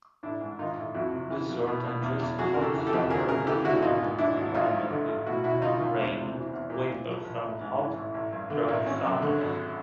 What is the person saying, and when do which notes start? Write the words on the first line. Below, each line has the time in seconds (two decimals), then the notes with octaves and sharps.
Bizerte enjoys a hot-summer Mediterranean climate, with mild rainy winters and hot dry summers.
0.23 A1 D4 E4
0.41 G#2
0.59 D#3 D#4 F4
0.77 A1
0.95 F2 E4 F#4
1.13 C3
1.30 E3
1.49 F2
1.67 B2
1.85 B2
2.02 E2
2.20 E2
2.38 F2 F#4 G#4
2.54 C#3 A#4
2.62 G4 A4
2.75 E3
2.87 G4 A4
2.93 F2
3.10 D2 G#4 A#4
3.28 C#3 G#4 A#4
3.46 E3 G4 A4
3.65 D2 E4 F#4
3.82 G#1 D#4 F4
4.00 G#2
4.18 E3 D4 E4
4.36 G#1
4.55 A1 D#4 F4
4.73 G2
4.90 D3
5.09 A1
5.26 B2 E4 F#4
5.44 B2 E4 F#4
5.62 C#2 D#4 F4
5.80 C#2 D#4 F4
5.98 E2 C4 D4
6.17 C3
6.34 E3
6.53 E2
6.70 A#2
6.88 A#2
7.07 A#1
7.25 A#1
7.43 A1
7.61 G#2
7.78 E3
7.96 A1
8.14 A1
8.33 G2
8.50 D3
8.68 A1
8.86 G#1 C#4
9.04 F#2
9.22 D3
9.40 G#1